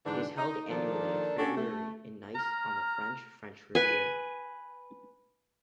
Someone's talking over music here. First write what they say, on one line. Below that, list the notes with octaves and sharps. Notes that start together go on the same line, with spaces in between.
It is held annually in February in Nice on the French Riviera.
G#2 D3 E3 D4
D#4
D#3 F3 A#3 D4 A4 D5
C#4 D4 F#4 G4 A4
A3
A#5 F6
B4 G#5